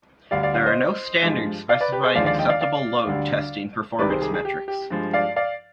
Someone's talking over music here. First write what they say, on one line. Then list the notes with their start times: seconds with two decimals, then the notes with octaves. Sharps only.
There are no standards specifying acceptable load testing performance metrics.
0.31 D2 D3 G3 D5 F5
0.43 D5 F5
0.54 D5 F5
0.66 C5 D#5
1.23 G2 F3 G#3
1.69 D5 F5
1.81 B4 D5
1.92 G4 B4
2.03 G#4 C5
2.15 D#2 D3 F3 G#3 D5 F5
2.26 D5 F5
2.39 D#5 G5
2.49 D5 F5
2.61 D5 F5
3.07 D2 D3 G3
3.99 C2 C3 D#3 B4 D5
4.10 G#4 C5
4.22 G#4
4.34 G#4
4.45 G4
4.68 G4
4.90 G2 F3 G#3
5.13 D5 F5
5.36 D5 F5